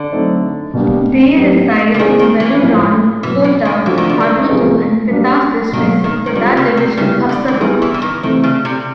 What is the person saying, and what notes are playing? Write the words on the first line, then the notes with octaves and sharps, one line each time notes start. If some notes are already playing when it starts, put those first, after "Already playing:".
They reside in Beluran, Kota Marudu, and Pitas districts of Kudat Division of Sabah.
Already playing: D3
F#3 A3 C4 D#4
B2 G3 A#3 D4
A2 F#3 B3 D#4 G4
D3
D#3 G#3 C4 E4 G#4
D#3
E3
A2 F3 A#3 C#4
B2 E3 F#3 B3
E3
D#3
E3 F3 A3 D4 F#4
D#3
D3
D#3
C3 F3 G#3 B3
G3 A#3 D4 F#4
B2 D#3 F#3 A#3
D#3
D#3
D3 G3 C4 F4 A4
C#3
C3
C#3 G3 B3 E4 G4
D3
E3
D#3 G3 B3 E4 G#4
E3
E3
D#3
C3 D#3 E3 A3 C4
C#3
C3